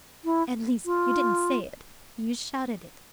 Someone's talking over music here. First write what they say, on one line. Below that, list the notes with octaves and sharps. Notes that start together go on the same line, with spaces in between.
"At least--you didn't say it--you shouted it!"
E4
F4